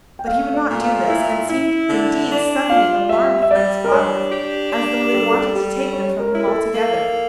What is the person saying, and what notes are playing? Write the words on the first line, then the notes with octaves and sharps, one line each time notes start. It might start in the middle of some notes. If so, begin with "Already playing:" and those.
But he would not do this and seemed indeed suddenly alarmed for his flowers, as though they wanted to take them from him altogether.
G5
A3 F5
D5
A#2
F5
E4 E5
E4
D3
D4
F4 F5
G3 E5
E5
G3 D5
A#4
D4 C#5
G4
D4
G3 A4
A#4
A4
G3
C#4 C#5
A#4
E4
A#4
A4
A#3